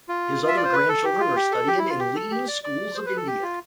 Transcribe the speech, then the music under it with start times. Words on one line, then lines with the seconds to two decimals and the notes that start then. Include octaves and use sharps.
His other grandchildren are studying in leading schools of India.
0.09 F4
0.48 E5
0.56 D5
0.64 C5
0.73 B4
0.89 A4
1.05 G4
1.20 F4
1.36 G4
1.52 A4
1.68 G4
1.79 E4
1.89 F4
1.99 G4
2.16 A4
2.31 G4
2.48 D5
2.64 D5
2.95 C5
3.06 B4
3.17 A4
3.27 G4
3.43 F4